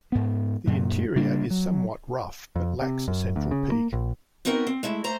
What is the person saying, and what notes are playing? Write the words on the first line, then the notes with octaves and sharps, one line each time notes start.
The interior is somewhat rough, but lacks a central peak.
G#2 B3
F#2 A#2 F#3
C#3 G3 A#3 D4
F#3
F2
C3
F#2
D2
C#3
A#3
A#1
B3 C4 D#4 F#4 A#4
C4
G#3 A3 E4
A3 C5 A#5